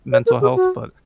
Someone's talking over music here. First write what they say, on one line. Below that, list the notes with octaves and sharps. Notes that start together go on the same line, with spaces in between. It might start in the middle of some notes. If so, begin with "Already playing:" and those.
mental health, but
C#5
A#4
G#4
F#4